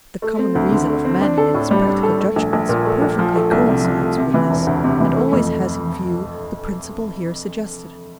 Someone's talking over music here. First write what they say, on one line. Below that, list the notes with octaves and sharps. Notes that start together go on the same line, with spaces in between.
The common reason of men in its practical judgements perfectly coincides with this and always has in view the principle here suggested.
A3
C4
D2
D3
A3
C4
D4
A4
A2
G3
D4
A4
A3
A#1
A#1
A#2
A3
A#1
F3
A3
C2
C3
F3
A3
C3
E3
E1
D2
C3
E3
A3
F2